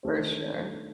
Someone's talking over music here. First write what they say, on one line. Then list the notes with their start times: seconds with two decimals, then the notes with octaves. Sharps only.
For sure.
0.03 D#3 A3 D4 G4 C5